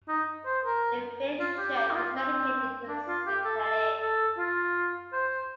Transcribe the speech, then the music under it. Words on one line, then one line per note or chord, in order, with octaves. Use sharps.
The village church is dedicated to Saint Helen.
D#4
C5
A#4
F4
G4
G4
D#4
F4
C4
D4
F4
G4
A4
A4
A4
F4
C5